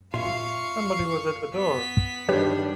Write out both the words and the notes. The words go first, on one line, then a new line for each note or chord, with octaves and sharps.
Somebody was at the door.
A#2 F4 E5 F5 C#6
B3 B6
G2 D#3 G3 D4 G4 B4 C#5